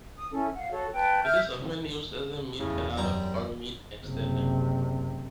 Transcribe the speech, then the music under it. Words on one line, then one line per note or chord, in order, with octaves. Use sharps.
It is often used as a meat analogue or meat extender.
D#6
C#4 E4 A4
F5 F#5
F#4 A4 C#5
B4 G5 A5
E5 F6 G6
E2 A2 C#3
F#2 G3 A#5
F#1 C3